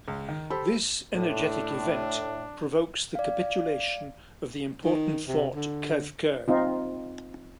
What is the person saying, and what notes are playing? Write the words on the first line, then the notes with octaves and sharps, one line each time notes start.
This energetic event provokes the capitulation of the important fort Crèvecœur.
C#2
D#3
G4 A4 C5 B5
A2 D4
D5 F5
D#3
C3
D3
C4 D#4 F4